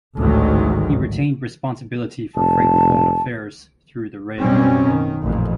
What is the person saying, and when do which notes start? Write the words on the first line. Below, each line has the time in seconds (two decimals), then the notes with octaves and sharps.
He retained responsibility for Francophone Affairs throughout the Rae government.
0.17 A1 D2 G#2 D#3 F#3
2.35 F1 A5
4.41 A1 F#2 B2 G3 C4 C#4
4.86 D#3
5.22 A1 F2 A#2